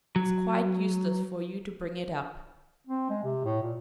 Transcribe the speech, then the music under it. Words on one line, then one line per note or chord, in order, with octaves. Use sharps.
It's quite useless for you to bring it up.
F#3
C4
G#3
C3
A2
A#2